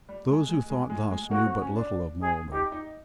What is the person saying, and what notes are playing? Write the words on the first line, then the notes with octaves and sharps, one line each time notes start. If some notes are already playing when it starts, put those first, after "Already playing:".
Those who thought thus knew but little of Marlborough.
G3
G#3
G#3
G#3
G#3
G#3
A#3 F#4
C4
C#4
D4
G#4
D#4 G4
D#4